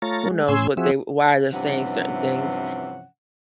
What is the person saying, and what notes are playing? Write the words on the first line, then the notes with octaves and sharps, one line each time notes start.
who knows what they why they're saying certain things.
A3 F4 C#5 A#5 A6
G#3
A2 C#4 G#5 C6 E6
F3 C4 F#4 G#4 E5
G2 C3 E3 F3 C#4 F#5